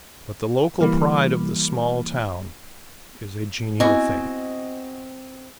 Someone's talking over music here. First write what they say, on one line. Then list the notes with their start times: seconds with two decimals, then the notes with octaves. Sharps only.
But the local pride of the small town is a genial thing.
0.81 E3 G3 A#3
3.80 B3 C4 E4 F#4 D#5 G#5 B5